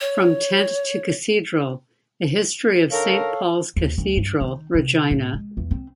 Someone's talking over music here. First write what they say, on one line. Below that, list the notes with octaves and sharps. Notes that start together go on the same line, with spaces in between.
"From Tent to Cathedral: A History of Saint Paul's Cathedral, Regina".
C#5
D3 D#4 A4 A#4 C#5 F5
D#2
D2
G2
D#3
C3
A2
G#3
E2
C4